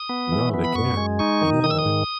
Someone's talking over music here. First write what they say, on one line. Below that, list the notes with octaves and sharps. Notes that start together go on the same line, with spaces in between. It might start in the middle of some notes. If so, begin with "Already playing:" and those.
No, they can't. Yeah.
Already playing: D#6
B3
E3
B3
B5
F#2 C#6
G#3
D#4 C#6
D#3
D#3 D#6
E6
D#6
G#2